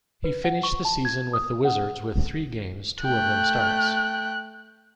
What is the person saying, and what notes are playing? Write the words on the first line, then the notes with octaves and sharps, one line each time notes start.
He finished the season with the Wizards with three games, two of them starts.
B4
F#5
C#6
A5
G#6
D#6
F#5
A3 G5 F#6